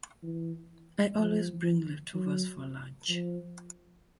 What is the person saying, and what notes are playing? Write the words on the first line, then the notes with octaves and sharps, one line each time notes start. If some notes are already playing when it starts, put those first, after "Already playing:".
I always bring leftovers for lunch.
E3
F3
F#3
F3